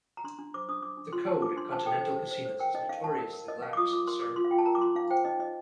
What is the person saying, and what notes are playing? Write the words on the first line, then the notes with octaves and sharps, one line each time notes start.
The code at Continental casinos is notoriously lax, sir.
A#5
D4 C6
D4
C5 D6
D4 D#6
D4 D6
D4
F4 C6
C5 A5
D4 D6
D4 C6
C5 A5
A4 G5
C5
C5
C5
C5
A#4 G5
D#4 D#5
D#4 F5
D#4 A5
A#4
A#4
A#4 D#5
A#4 F5
D6
F4 D#6
F4 D6
A#4 C6
A#4 D6
F4 C6
F5
F4 G5
A5
A#4 A#5
D6
F4 C6
D#4 F5
C5 G5
D#4 D#5
D#4 D#5